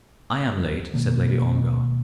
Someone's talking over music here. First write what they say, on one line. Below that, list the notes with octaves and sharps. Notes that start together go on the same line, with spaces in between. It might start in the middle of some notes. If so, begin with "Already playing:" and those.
"I am late," said Lady Ongar.
B2 D#3 G#3 A#3